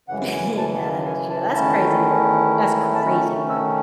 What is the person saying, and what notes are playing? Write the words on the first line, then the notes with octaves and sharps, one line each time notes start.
Yeah, that is true, that's crazy work. That's crazy work.
F#2 C#3 E3 F#5
G#5
A5
A5
G#5
A5
E2 D#3 A3 C#4 E4
A5
D#3 A3 C#4 B5
C#6
E6